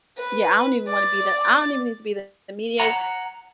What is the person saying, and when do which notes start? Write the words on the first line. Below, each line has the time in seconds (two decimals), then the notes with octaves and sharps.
Yeah, I don't even wanna be the I don't even need to be the mediato
0.17 B4
0.88 D5
2.80 F#5 A#5